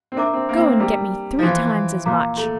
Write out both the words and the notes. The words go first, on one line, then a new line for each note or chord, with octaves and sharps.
Go and get me three times as much!'
C4
D4 A#4 E5 A#5 D6
C4
A#3
C4
A#3
G3 A#4 D5 G5 A#5 D6
F3
E3 C5 F5 C6
A#2 A#4 F5 A#5 D6
A3